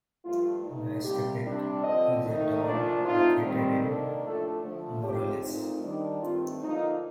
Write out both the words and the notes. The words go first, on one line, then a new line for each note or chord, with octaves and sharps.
Mazatepec is a town located in Morelos.
G2 F3 A3 F4
G2 D3 A3 D#4
C3 G3 A#3 G4
C3 G3 D4
D3 F3 C4 D#5
D#3 A3 D#4
A#2 F3 A3 D4 D5
D3 A3 C4 D#4 F4
D#3 G3 C4
D#3 A#3 D4 A4
A2 F3 A3 D4 A4
D3 F3 A3
F2 D3 F3 C4 D#4 G4
A#2 A3 C4 D#4
D#3 G3 D4
G2 D#3 A3 C4 F4
D3 F3 A#3 D#4